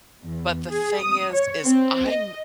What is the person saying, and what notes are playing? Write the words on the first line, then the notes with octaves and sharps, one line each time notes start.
but the thing is, is I'm
E2
G#4
D#6
C#5
C4
D#5